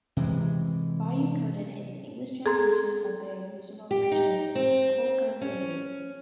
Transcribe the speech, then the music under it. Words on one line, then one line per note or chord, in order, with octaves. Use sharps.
Bayou Coden is an English translation of the original French name, Coq d' Inde.
C3 E3 G#3
G#4 A4 A#5 C6 G#6
G4
D#4
C4
C#4